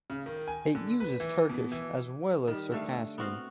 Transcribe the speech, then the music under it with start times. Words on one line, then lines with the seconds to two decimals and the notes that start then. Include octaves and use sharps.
It uses Turkish as well as Circassian.
0.10 C#3
0.26 D#3
0.48 G#5
0.75 D3
1.00 B4
1.20 E3
1.50 B2
1.72 E3
2.47 D#3 G3
2.72 D3 A3 F5
3.18 B3 C4 F#4 F5